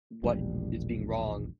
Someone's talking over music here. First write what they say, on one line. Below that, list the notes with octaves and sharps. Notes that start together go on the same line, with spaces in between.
what is being wrong.
E1 A#1 G3